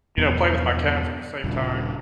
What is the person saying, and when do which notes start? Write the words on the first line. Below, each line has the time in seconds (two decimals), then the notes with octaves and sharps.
you know, play with my cats at the same time.
0.18 E2 G2 B2 F3
1.44 D#1 G2 A#2 C#3